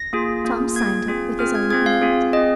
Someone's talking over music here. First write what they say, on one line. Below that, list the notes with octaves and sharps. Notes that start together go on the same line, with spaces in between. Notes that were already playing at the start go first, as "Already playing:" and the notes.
Tom signed it with his own hand.
Already playing: A#6
A#3 F4 G#4
A#3 F4 G#4
A#3 F4 G#4 G#6
C4 F4 G#4
C4 F4 G#4 F6
G#6
C4 F4 G#4 G#6
F5
C4 F4 G#4
C4 G#4 D#5